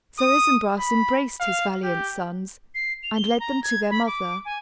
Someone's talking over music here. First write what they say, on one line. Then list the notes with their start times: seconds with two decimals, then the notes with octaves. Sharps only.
Sir Isumbras embraced his valiant sons, and led them to their mother.
0.19 D#6
0.79 B5
1.40 F5
1.83 G4
2.75 C7
3.03 F7
3.16 G7
3.40 A#5
3.63 G#6
3.90 B5
4.07 D6
4.45 G#5